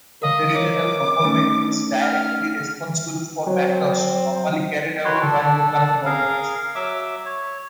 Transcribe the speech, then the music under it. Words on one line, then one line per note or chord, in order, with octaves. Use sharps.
The territorial government is directly responsible for matters normally carried out by local government.
A#4 D#5 F5
A#4 C#5 D#5 D6
A3 C#4 D#4
F6
F#3 C4
F#4 B4 C#5 C6
D4 A4 D5
G#4 A#4 F5
F#3 E5 D6
C#5